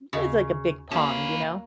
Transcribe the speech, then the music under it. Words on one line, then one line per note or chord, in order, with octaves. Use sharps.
it was like a big pond, you know?
D#2 C#3 F#4 D#5
D3 A#3 C#4 F#4 B4 G#5